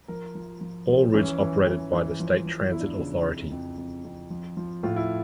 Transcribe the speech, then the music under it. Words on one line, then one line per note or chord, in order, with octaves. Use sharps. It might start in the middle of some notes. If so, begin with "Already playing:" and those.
All routes operated by the State Transit Authority.
F3 A#4
F3
F3
F3
E3 C#4
E3
E3
E3
F3
F3
E2 E4
D4
E4
C#3
F2
F2
F2
F2
F3
F3
A2 F4
E4